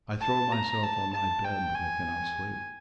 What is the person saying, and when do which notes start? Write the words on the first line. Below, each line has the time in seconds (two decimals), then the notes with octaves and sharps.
I throw myself on my bed; but I cannot sleep.
0.21 A5
0.52 A#5
0.83 A5
1.13 A5
1.45 G5
1.75 G#5